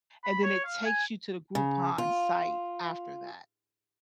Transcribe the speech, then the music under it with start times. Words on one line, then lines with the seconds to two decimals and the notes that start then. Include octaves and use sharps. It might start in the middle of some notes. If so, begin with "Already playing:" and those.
and then it takes you to the Groupon site after that.
0.24 B5
0.44 C#5
0.65 F5
0.85 G#5
1.55 C#3
1.98 F4